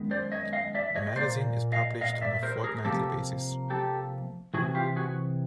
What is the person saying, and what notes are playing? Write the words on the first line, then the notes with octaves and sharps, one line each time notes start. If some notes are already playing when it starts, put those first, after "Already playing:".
The magazine is published on a fortnightly basis.
Already playing: F#2 D#3 G#3 B3
C5 D5
C#5 D#5
D#5 F5
D5 E5
C#5 D#5
A#2 G3 A#3 C5 D5
D#5 F5
D#5 F5
D5 E5
A#4 C5
G#4 A#4
C3 F3 A#3 G4 A4
G4 A4
C3 E3 F#4 G#4
F4 G4
F#4 G#4